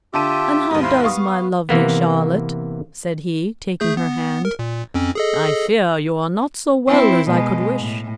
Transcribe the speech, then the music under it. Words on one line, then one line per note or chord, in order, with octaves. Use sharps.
"And how does my lovely Charlotte?" said he, taking her hand: "I fear you are not so well as I could wish."
D3 F4 G4 E5 A5 D#7
D#2 G#2 B3
E4 C5 F5
B3 F5 C#6 D#6
C3 E3 A#3 B3
A3 G#4 G6
B3
A#4
A#2
F2 C4 C#4
G#4 A4 D#5
C4 E4
B2 G#3
A2